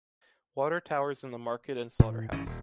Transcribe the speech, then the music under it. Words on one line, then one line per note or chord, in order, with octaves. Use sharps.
Water towers in the market and slaughterhouse.
A2
G1 G2 E3 C#4
D#1